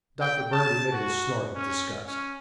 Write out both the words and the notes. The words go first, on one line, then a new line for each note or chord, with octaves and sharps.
Dr. Bird emitted a snort of disgust.
G5
A5
F#4
C#4
C#4